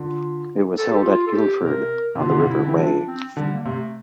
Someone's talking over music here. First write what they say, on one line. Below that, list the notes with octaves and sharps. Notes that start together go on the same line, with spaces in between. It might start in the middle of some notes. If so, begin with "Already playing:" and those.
It was held at Guildford on the River Wey.
Already playing: D3 F4
A4
G4
F4
A4
G4
C3 A#4
C3
D3 F4
D3
C3
E4
D3
E3 C4
F3 D4
C4
D3 G3
A#3
C3 A3